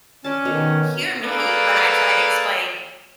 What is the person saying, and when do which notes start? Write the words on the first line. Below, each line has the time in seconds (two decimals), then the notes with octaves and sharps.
hear me when I try to explain
0.24 C#4 D5 A5
0.45 B2 D#3 A4 A#5
1.23 A#3 G#4 A4 B4 D5